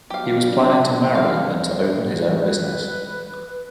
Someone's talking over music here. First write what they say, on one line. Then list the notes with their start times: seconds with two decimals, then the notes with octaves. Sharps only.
He was planning to marry, and to open his own business.
0.10 F#3 B3 G4 F5
0.48 D4
1.15 E2 G2 F5
2.38 B4